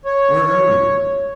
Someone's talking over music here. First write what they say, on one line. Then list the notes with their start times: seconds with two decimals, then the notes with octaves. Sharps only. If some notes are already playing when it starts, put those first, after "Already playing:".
"Where are we?"
0.05 C#5